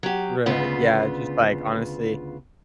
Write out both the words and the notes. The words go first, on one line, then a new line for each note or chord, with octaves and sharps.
Right, yeah, just, like, honestly,
F#3 G4
D2 C#3 B3 F4 E5